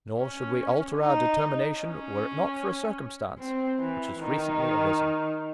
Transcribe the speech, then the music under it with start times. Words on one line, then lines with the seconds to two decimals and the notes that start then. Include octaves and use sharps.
Nor should we alter our determination were it not for a circumstance which has recently arisen.
0.19 C#4
0.98 D#4
1.78 C#4
3.39 C4
3.79 E3
4.19 D#3